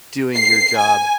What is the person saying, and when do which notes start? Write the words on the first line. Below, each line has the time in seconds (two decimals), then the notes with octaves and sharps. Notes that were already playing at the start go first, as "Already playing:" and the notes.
doing your job,
0.35 C7
0.79 G#5